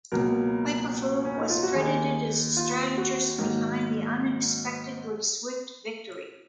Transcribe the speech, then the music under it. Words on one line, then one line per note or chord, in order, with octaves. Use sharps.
Wu Peifu was credited as the strategist behind the unexpectedly swift victory.
C#2 B2 F#3 A#3 A#4
C#4
D#4
F4
F#4
D#2 D#3 A#3 G#4
F4
F#4
G#2 D#3 F#3 A#3